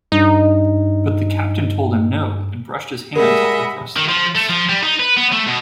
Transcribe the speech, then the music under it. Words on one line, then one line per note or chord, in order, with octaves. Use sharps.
But the Captain told him no and brushed his hands off the thrust levers.
G2 D#4
G3 G#3 A#4 D#5 E5 F#5 G#5 B5
D#3
F3
A3
F3
G3
D#4
B4
B3
A3
B2